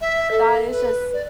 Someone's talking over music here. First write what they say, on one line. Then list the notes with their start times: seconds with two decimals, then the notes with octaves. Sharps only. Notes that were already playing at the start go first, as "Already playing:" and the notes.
that is just
0.01 E5
0.31 A4
0.70 B4
1.14 D5